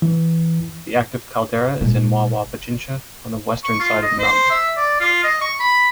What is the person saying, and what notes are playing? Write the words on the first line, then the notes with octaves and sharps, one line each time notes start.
The active caldera is in Wawa Pichincha on the western side of the mountain.
E3
A#2 G#3
C#6
F4
D#5
C5
E5
D5
F4
D#5
C#6
B5